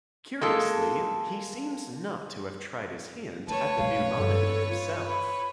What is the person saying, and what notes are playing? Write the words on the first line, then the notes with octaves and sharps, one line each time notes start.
Curiously, he seems not to have tried his hand at the new monody himself.
G#3 A#3 A4
A3 B4 C#5 A5
B2 A3 F5
G2 C4 A4
F4
B5